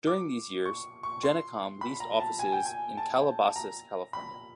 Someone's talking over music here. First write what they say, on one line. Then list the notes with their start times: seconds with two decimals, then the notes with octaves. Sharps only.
During these years, Genicom leased offices in Calabasas, California.
0.07 D6
0.66 C#6
1.03 C#6
1.23 C6
1.81 B5
2.00 A#5
2.20 A5
2.39 G#5
2.52 G5
2.66 G#5
2.97 A5
3.56 A#5
4.13 B5